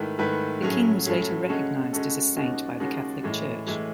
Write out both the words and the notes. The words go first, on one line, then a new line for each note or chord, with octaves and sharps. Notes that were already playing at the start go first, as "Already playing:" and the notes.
The king was later recognized as a saint by the Catholic Church.
Already playing: G#2 D#3 A3 E4 B4
G#2 D#3 A3 E4 B4
A2 F#3 A3 C#4 G#4
A2 F#3 A3 C#4 G#4
C#3 G#3 C#4 F#4 A4
C#3 G#3 C#4 F#4 A4
D#2 C#3 G#3 D#4 F#4
D#2 C#3 G#3 D#4 F#4
A2 E3 G#3
A2 E3 G#3